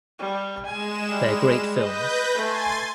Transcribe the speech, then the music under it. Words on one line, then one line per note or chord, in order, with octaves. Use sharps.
They're great films.
G3
G#3 G#5 E7
G3
B4 D#5 G6 A#6
A3 G#5 C6 A6